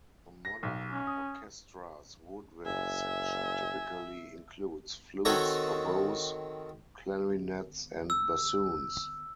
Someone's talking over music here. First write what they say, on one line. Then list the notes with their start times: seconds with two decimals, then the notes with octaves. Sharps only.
The modern orchestra's woodwind section typically includes: flutes, oboes, clarinets, and bassoons.
0.45 A#6
0.63 B1
0.90 C#4
1.07 D#6
2.66 F#1 E5 G#5
5.25 D#3 C4 F#4 A4 C#5 A#5
8.10 E6